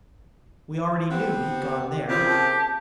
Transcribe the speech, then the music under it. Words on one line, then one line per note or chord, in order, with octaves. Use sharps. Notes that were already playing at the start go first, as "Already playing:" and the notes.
"We already knew he'd gone there."
B3 C4 G4
C#3 A#3 C4 F4 G4
A5